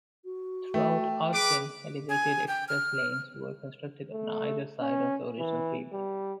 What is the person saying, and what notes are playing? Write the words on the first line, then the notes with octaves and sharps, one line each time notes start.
Throughout Austin, elevated express lanes were constructed on either side of the original freeway.
F#4
A3 G5
G#4 B4 D6
G#5
G5
F6
A3
C#4
E3
G3